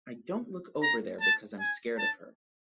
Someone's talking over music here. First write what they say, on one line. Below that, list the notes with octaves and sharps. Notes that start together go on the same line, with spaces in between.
I don't look over there because I'm scared of her.
A#5
A5
G#5
A5